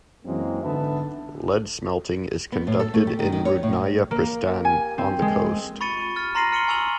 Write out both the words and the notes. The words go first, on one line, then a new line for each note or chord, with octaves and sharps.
Lead smelting is conducted in Rudnaya Pristan on the coast.
F#2 E3 G#3 A#3 C4
G#2 D3 B3 B4 E5 A5
B3
A2
A4
A3
G4
D#3
D#3
C#5
A2
A#3
G#5
C4
G#3
B5 C#6 A6 C#7 D#7
F6 A6
A#5 C6 A#6 C7 D#7 F#7
F6 C#7 D#7 F#7 G7
G#5 C#6 E6 F7 F#7